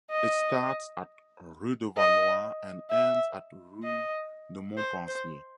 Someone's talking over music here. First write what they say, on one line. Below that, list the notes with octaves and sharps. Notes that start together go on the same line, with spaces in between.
It starts at Rue de Valois and ends at Rue de Montpensier.
D#5
D#5
E5
D#5
C5
C5